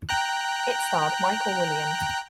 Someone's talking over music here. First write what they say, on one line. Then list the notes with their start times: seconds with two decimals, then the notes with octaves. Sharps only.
It starred Michael Williams.
0.09 G5 A#5 F#6